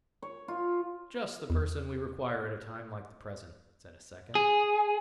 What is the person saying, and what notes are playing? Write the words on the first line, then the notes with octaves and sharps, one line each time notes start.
"Just the person we require at a time like the present," said a second.
C#5
F4
E2
G#4